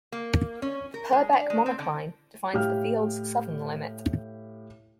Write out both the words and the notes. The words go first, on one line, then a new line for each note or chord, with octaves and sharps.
The Purbeck Monocline defines the field's southern limit.
A#3
C#4
A#4
G#3
D4
G#3
C4
D3
A2 G4 F5 F6